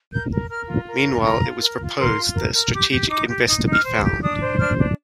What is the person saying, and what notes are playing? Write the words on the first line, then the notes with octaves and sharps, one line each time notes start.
Meanwhile, it was proposed that a strategic investor be found.
A#4 G6
A#4
A#4 F6
F4
A#4
F4
A5
A#4 A#5
F4
A#4
F4
A#4 C6
F4
A#4
A#4
G4 D6
G4
D#4 D6
G4
D#4 D#6
D#4
F6
C5
G4
D4 D#6
C5
D4 F6
D4